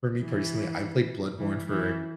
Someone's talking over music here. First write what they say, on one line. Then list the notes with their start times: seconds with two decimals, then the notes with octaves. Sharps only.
for me, personally, I played Bloodborne for
0.21 E3
1.39 E3
1.68 E3